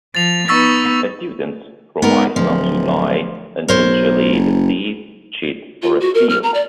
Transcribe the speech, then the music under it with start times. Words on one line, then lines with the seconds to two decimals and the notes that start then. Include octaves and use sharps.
Students promise not to lie, intentionally deceive, cheat, or steal.
0.15 F3 A6 F7
0.48 B3 D#4 C#6 E6 A6
2.02 G#2 B3 A#4
2.36 D1 F3
3.68 B1 A#4 C5 C#5
4.33 F#1
5.82 F4
6.00 F#4
6.14 A#4
6.29 F6
6.43 A#5
6.54 D5